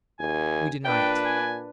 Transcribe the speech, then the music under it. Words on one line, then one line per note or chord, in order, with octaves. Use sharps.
We deny it.
D#2 G#5
A#2 D4 B4 G5
G#5